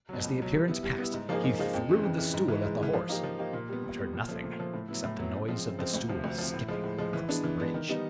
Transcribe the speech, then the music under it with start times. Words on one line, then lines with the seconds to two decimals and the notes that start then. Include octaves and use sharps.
As the appearance passed, he threw the stool at the horse, but heard nothing except the noise of the stool skipping across the bridge.
0.09 B2 F#3
0.24 C#2
0.38 B2 F#3
0.53 G3
0.68 B3 E4
0.83 G3
0.98 B3 E4
1.14 G#2
1.29 F3 A#3 D#4 G#4
1.44 G#2
1.59 F3 A#3 D#4 G#4
1.73 F2
1.89 C#3 E3
2.03 F2
2.18 C#3 E3
2.34 G#2
2.48 E3 G#3
2.64 G#2
2.79 E3 G#3
2.93 F3
3.09 A#3 D#4 G4
3.24 F3
3.39 A#3 D#4 G4
3.53 A#2
3.69 G3 B3
3.84 A#2
3.98 G3 B3
4.13 A#2
4.29 F3 A3
4.44 A#2
4.59 F3 A3
4.74 A2
4.88 F#3 B3 E4
5.04 A2
5.19 F#3 B3 E4
5.33 C#3
5.48 F3 G#3 C4
5.63 C#3
5.79 F3 G#3 C4
5.94 D2
6.09 C3 F3
6.24 D2
6.38 C3 F3
6.54 A2
6.68 F3 G#3
6.84 A2
6.98 F3 G#3
7.13 E3
7.29 G#3 B3 D4
7.44 E3
7.59 G#3 B3 D4
7.74 D#3
7.89 G3 B3 D#4